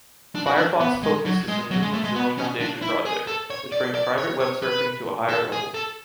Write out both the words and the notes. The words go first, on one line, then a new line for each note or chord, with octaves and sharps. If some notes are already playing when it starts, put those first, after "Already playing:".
Firefox Focus is a new Mozilla Foundation project, which brings private web surfing to a higher level.
D4
F#4
D4
B3
G#3
F#3
G#3
F#3
G#3
A3
G#3
B3
C#4
D4
E4
G#4
A4
C#5
D5
D5
C#5
C#5
B4
A4
G#4
A4